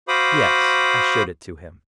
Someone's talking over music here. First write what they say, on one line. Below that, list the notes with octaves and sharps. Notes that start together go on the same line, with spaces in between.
"Yes; I showed it to him."
F#4 C5 F5 B5 D6 D#6